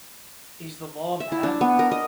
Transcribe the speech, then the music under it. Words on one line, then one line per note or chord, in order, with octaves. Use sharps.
Is the law mad?
E5
E4
D4
B3
A#4
D#5